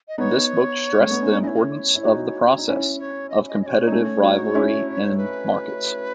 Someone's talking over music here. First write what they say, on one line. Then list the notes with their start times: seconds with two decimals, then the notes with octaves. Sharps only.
This book stressed the importance of the process of competitive rivalry in markets.
0.08 D#5
0.18 B3 D#4 C#5
1.00 A3
1.11 B3
1.22 C#4
1.32 D#4
1.42 C#4 E4 C#5 D#5
1.95 E4
2.05 D#4 F#4
2.58 D#4
2.68 C#4 E4
2.99 C#5
3.29 D#5
3.48 D#5
3.62 D#5
3.66 C#5
3.87 D#4
3.92 A3 C#4
4.23 D#4 F#4
4.55 C#4 E4
5.17 B4